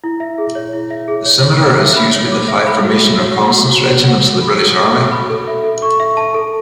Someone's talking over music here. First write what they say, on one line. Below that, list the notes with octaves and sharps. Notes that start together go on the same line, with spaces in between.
The Scimitar is used by the five formation reconnaissance regiments of the British Army.
E4
E5
G#4
C#5
E4
E5
G#4
C#5
C#5
D6
E5
B5
C#5
D6
E5
B5
F#4
F#4
C#5
F#5
F#4
F#4
C#5
F#5
F#4
B5
A4
E5
F#4
B5
A4
E5
A4
C#6
E5
A5
A4